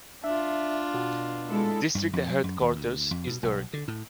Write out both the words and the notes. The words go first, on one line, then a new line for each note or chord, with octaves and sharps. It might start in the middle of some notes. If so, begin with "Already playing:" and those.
District headquarters is Durg.
D4 F4 E5
B2
G#3 E4 A4
G2
F2
F#3
F#2
D#2
D2
F2
B2
B1
D3
A2